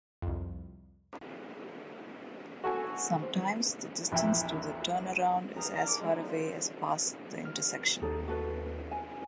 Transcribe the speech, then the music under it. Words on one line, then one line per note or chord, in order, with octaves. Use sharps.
Sometimes the distance to the turnaround is as far away as past the intersection.
C2 F2
F#4 A4 G#5
C5
A#1 E2 E4 G5
G4 G#4 B4 F5 A#5 D#6
B3 D4 A#4 F5 A#5
C2 A#2 G#5 A5 D6
G#3
C#3 G3 G#3 B3 D#4
D4 F4 A4 C5 E5
F6
D#2 D#4 G4 A4
F#4 A4 B4
G#5